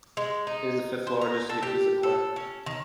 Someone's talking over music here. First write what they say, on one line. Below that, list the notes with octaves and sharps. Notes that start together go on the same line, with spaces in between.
It is the fifth largest Yakuza clan.
G#3
D#4
C5
A#5
A4
G4
A4
C#4
D#3